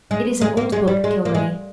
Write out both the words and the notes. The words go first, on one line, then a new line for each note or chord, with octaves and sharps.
It is an old book, Kilmeny.
G#3
G#3
A#3
G#3
G3
G#3
A#3
G#3